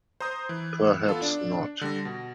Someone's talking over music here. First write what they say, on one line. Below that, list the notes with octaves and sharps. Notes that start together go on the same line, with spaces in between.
Perhaps not.
C5 A#5 D#6 G6
E3
B3 F4 A4
D4
D3 G3 A#6
B2